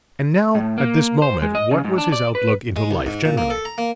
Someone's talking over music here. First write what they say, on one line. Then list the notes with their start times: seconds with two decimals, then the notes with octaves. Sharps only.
And now, at this moment, what was his outlook into life generally?
0.55 A2
0.78 A#3
1.22 C5
1.42 G#3
1.55 D#5
1.71 C#3
1.84 G#2
1.98 D4
2.12 D5
2.35 B4
2.76 G#3
2.91 C2
3.06 G#2
3.25 A#2
3.38 A#3
3.50 A4
3.65 A#5
3.78 A#3